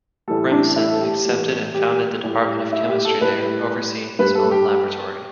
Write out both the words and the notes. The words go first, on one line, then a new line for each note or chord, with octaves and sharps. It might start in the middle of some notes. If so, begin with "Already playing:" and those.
Remsen accepted and founded the department of chemistry there, overseeing his own laboratory.
A2 E3 G3 A4
D4
E4
A4
G4
A2 E3 G3
G4
A2 G3
E4
G4
A4
A2 G3 B4
G2 G3 B4
A4
G4